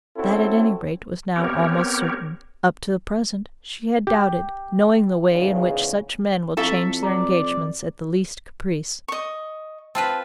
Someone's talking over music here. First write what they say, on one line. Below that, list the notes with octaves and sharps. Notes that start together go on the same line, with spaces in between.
That at any rate was now almost certain. Up to the present she had doubted, knowing the way in which such men will change their engagements at the least caprice.
C4 C#4 E4 F#4 A4
B3 C4 G4 A#4 C#5
G4
E2 G#2 C#3
F2 E4 G4 A4 E5 F5 A5
D5 A#5
D#5 C#6
C4 F4 B4 A5